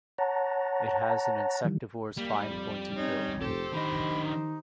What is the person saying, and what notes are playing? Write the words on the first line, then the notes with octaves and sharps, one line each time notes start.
It has an insectivore's fine pointed bill.
C#5 F#5 A5 A#5
D#3 E3 G3
G3 A#3
F2
C4 C#4 D#4 C#5
F1 G4 A4 C5
D3 D#3 D#5 B5
D#4